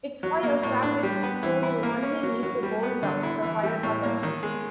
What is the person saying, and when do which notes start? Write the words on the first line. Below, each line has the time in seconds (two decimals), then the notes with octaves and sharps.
It fires rapidly, so you only need to hold down the Fire button.
0.23 F#3
0.43 A#3
0.63 A2
0.83 D4
1.03 G3
1.23 B3
1.43 E3
1.63 E4
1.83 A#3
2.03 C#4
2.23 F#3
2.43 F#3
2.63 G3
2.83 B3
3.03 D3
3.23 E4
3.43 E3
3.63 G3
3.83 A2
4.03 A#3
4.23 D#3
4.43 G#3